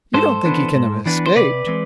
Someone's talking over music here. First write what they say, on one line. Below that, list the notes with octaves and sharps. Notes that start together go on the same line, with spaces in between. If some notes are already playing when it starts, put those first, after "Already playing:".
"You don't think he can have escaped?"
G#2 A4 C5
E3 B3 D4
G#2
E3 B3 D4
C5
C3 B4 D5
E3 G#3 C4